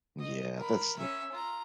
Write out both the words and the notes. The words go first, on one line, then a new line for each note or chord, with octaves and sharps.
Yeah, that's n
D#5
A#4 B5
C#4 E5
F4 A#5